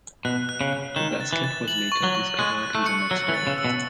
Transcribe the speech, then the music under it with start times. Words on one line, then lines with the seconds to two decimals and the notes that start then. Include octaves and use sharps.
The basket was later discovered with an X-ray.
0.25 B2 F#6
0.49 F#6
0.61 C#3
0.73 F#6
0.96 D#3 E7
1.20 A6
1.33 E3
1.44 A6
1.68 F#7
1.92 C#6
2.03 F#3
2.15 C#6
2.39 G#3 F#6
2.63 F#6
2.75 A3
2.86 C#7
3.10 F#3 E6
3.28 E3
3.34 A6
3.47 C#3
3.58 E6
3.65 B2